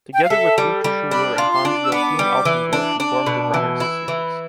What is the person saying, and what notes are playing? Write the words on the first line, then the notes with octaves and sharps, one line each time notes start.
Together with Günter Schüler and Hans-Joachim Altendorff he formed the runners' series.
G5
F5
A4 E5
G3
G3
D4 B5
F4
C6
D4
E6
B3 D6
G3
E3
D4
D4
B2
E3
E4
E3